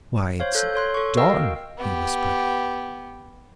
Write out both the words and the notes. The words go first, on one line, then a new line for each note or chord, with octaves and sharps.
"Why, it's dawn," he whispered.
C5 C#5 F5
A4 F#6 G6
A4 C#5 C6 F#6
A4 C#6
F#4 A#4 D#5 F5 G5 E6
B3 G4